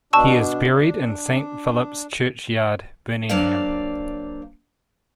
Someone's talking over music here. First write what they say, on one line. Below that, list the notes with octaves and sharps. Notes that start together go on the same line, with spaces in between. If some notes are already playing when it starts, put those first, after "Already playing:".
He is buried in Saint Philip's church yard, Birmingham.
B2 D4 A5 C#6 E6
D4
F#3 A#3 D4 C5 D5 F5